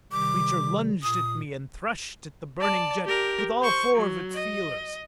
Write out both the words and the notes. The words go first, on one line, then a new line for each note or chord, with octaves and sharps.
The creature lunged at me and threshed at the burning jet with all four of its feelers.
C3 D#3 G3 D6
A#2 D#6
D5 A5
G4 A#4
C5 C#6
F#3
D#5